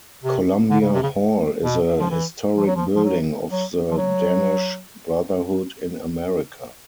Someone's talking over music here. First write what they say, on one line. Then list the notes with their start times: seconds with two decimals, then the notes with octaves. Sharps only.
Columbia Hall is a historic building of the Danish Brotherhood in America.
0.24 C3
0.70 D3
0.81 C#3
0.92 C3
1.03 C#3
1.63 B2
2.00 F3
2.11 E3
2.57 F3
2.66 F#3
2.76 F3
2.96 F3
3.04 F#3
3.50 F#3
3.91 F3
3.98 F#3